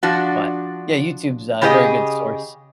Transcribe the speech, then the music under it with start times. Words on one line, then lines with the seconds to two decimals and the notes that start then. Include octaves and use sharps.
but yeah, YouTube's a very good source,
0.03 F3 D4 F#4
1.62 C#3 G4 G#4 B4 D#5